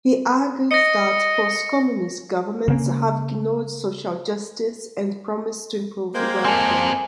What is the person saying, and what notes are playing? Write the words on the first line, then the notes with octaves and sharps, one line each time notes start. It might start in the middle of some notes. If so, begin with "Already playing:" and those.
He argued that post-Communist governments have ignored social justice and promised to improve welfare.
D#5 A#6 C#7
C#3 A#3
G#3 A#3 C5 G5 A#5
C4 A4 G#5